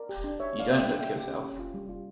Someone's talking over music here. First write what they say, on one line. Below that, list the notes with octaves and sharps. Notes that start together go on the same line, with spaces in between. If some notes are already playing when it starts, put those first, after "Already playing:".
You don't look yourself.
Already playing: A#4 D5
G4
D4
D4 C#5 E5
D4
D5 F5
A#3
E5 G5
D4
C#4 E5 G5
G4
C#4
C#4
F4
G3
F4